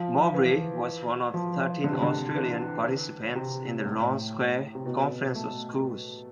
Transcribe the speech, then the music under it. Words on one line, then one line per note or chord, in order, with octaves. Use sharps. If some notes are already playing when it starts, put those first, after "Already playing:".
Mowbray was one of thirteen Australian participants in the Round Square Conference of Schools.
Already playing: F3
E3
F3
D3
C3
D3
E3
C3
A2
C3
B2
A3